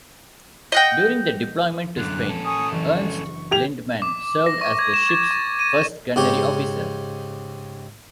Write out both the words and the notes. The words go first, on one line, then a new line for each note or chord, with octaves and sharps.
During the deployment to Spain, Ernst Lindemann served as the ship's first gunnery officer.
D#5 F#5 G5
F#2 D3 D6 F#6
C#4 A4
A#3 G#5 C#6 D#6
F#1 E3 D4 C#6
G4 G#6 F7
D6
A#6
C#6
G#6
E7
A6
C#6
D#7
G#2 C#3 G4 C#5